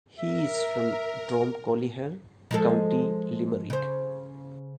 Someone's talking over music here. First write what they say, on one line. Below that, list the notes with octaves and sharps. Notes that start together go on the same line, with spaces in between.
He is from Dromcolliher, County Limerick.
A#4 E5
F3 G#3 A4
C#3 C5